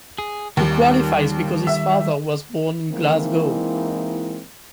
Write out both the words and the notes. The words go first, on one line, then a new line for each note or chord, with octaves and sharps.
He qualifies because his father was born in Glasgow.
G#4
D#2 D#3 G3
E5
E3 G#3 A#3 C4 D#4 E4